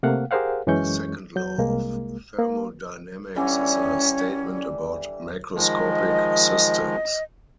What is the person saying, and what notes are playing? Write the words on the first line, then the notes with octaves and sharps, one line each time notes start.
The second law of thermodynamics is a statement about macroscopic systems.
C3 A3 A#3 F5 F#5
G4 G#4 A#4 C5 F5 F#5
F#2 E3 G#3 C#4 C#6 G6
F#3 G6
C2 G#3 A#3
A#3
D3 E3 G3 C#4
D#3 F3 G#3 D#5